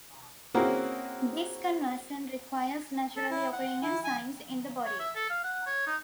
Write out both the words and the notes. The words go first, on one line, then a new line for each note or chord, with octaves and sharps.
This conversion requires naturally occurring enzymes in the body.
A#3 C4 C#4 E4 F#4 G#4
A4
E4
F#5
E4
G#5
C#5
E5
A4
F5
F#5
C#5
D#4